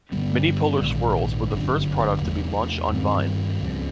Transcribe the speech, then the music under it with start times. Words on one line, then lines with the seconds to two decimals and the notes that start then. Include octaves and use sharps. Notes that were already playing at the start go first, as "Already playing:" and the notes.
Mini Polar Swirls were the first product to be launched on Vine.
0.12 G2 D3 G3 B3
0.81 A#1 G#2 D#3 G#3
1.51 G1 F#2 D3
2.22 E2 C3 F3 A3
2.92 G2 D#3 G3 C4
3.62 C#2 C#3 F3